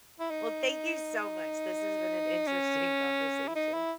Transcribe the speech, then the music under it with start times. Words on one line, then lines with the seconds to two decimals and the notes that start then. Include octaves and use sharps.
Well, thank you so much. This has been an interesting conversation.
0.20 E4
0.31 D#4
2.47 C#4
3.48 E4
3.55 D#4
3.74 E4